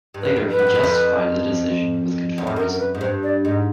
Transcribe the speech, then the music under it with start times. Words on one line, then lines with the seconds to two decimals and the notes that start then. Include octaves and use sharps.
Later he justified the decision with conformism.
0.14 G2
0.22 E2 B4
0.36 F2
0.51 B4
0.59 F#2
0.67 F2
0.75 E2
0.84 F2
2.38 E2
2.47 F2
2.56 F#2 A#4
2.72 A#4
2.79 B4
2.95 G#2
3.01 G2 C5
3.23 D5
3.45 G#2 D#5